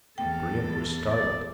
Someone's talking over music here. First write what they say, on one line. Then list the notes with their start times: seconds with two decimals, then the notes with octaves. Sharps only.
Brion was startled.
0.18 E2 A4 G5
1.10 D5